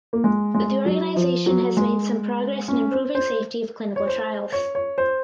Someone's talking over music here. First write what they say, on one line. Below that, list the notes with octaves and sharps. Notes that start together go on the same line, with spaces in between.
The organization has made some progress in improving safety of clinical trials.
A#3
G#3
G#3
F#3
F3
F#3
G#3
C#4
C5
C5
C#5
C5
C#5
C#5
C5